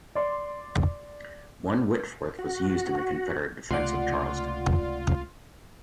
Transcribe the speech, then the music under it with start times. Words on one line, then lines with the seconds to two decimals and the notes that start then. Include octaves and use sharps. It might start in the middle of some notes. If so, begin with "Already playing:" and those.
One Whitworth was used in the Confederate defense of Charleston.
0.15 D5 C6
2.39 F#4
3.71 C#2 C3 A3 F4 D5 F#5 C6